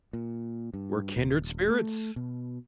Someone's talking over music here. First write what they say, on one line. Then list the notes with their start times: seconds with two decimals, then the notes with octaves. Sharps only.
We're kindred spirits.
0.13 A#2
0.74 G2
1.17 D#1
1.69 A3
2.16 B2